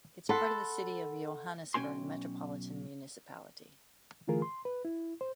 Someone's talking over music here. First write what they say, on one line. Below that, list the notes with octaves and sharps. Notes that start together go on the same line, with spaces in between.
It is part of the City of Johannesburg Metropolitan Municipality.
A4 F#5 B5 C6
B1 C#4 G5 G#5 C6
D3 E3 A3 F4 G#4 A#4
C6
B4
E4
C5